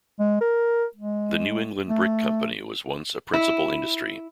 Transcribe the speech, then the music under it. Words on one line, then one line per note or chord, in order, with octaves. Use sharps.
The New England Brick Company was once a principal industry.
G#3
A#4
G#3
A3
E4